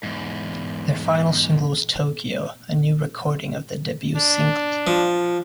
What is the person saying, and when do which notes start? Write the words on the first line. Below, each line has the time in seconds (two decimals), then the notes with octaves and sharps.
Their final single was "Tokyo", a new recording of their debut single.
0.03 E2 G#2
4.16 D4
4.87 F3